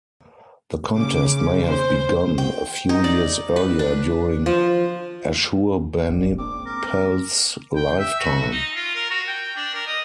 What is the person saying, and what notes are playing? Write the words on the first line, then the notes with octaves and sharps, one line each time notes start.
The contest may have begun a few years earlier during Ashurbanipal's lifetime.
C#3 C#4 D6
C5
G5
D#4
D5
B4
D4
F3
E1 A1 C#4 D5
G#3 A#3 C4 D4 D6
A#4
G5
E5
F#4
D#4
F4
A#4
F#4
G5
D4
A#4
D#5